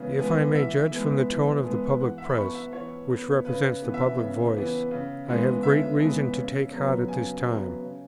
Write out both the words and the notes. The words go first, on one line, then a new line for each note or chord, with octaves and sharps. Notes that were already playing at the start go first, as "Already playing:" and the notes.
If I may judge from the tone of the public press, which represents the public voice, I have great reason to take heart at this time.
Already playing: C#3 E3 G#3 B3
E3 G#3 B3
E3 E5
G#3 B3
E3
G#3 B3
E3 F#5
E5
B5
B3 C#6
E5
E3 C#5
B3
C#3 B4
E3 B3
E5
C#3
E3 B3
C#3
E3 G#3 B3
C#3 E5
E3 G#3 B3
C#3
F#3 B3
C#3 G#5
F#3 B3
C#3